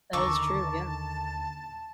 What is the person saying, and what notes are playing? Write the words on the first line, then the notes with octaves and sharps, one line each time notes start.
That is true, yeah.
D#2 D3 D#3 A5 A#5 C#6 D6 E6